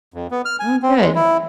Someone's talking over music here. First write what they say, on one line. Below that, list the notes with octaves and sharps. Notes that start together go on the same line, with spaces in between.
Oh, good.
F2
B3
F6
G#5
C4
G#3
E4